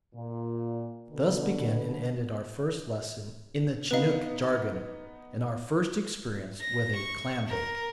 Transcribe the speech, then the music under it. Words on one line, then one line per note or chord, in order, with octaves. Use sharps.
Thus began and ended our first lesson in the Chinook jargon, and our first experience with a clam bake.
A#2
B2 D3
B3 D#4 B4 F5
A#6
C#6
A#4